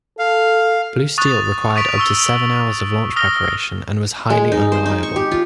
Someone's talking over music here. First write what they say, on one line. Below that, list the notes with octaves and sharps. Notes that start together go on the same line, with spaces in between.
Blue Steel required up to seven hours of launch preparation, and was highly unreliable.
A4 F5
C#6 D#6 F#6 A6 F7
C#6 D#6 A6 B6 D7 F7
C#6 E6 G7
D#6 F6 A#6 G7
G#3
D#4
C5
D#4
C#6
G4
F4